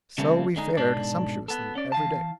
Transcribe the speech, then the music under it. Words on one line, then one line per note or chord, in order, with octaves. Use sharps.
So we fared sumptuously every day.
C#3 G3 A3 A#3 C4
D3 G#3 D#4
G#2 B2 G#3 D4 A4 D5
B3 A4
C#4 D5
E3 F5 A5